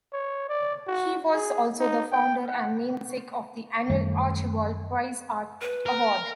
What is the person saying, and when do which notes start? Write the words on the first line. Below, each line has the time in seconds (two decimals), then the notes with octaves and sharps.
He was also the founder and namesake of the annual Archibald Prize art award.
0.13 C#5
0.49 D5
0.87 F#4
1.34 G#4
1.80 D#4
2.12 G5
2.49 F#5
3.90 F#2 D#3 G3 A3
5.62 B4
5.86 A#4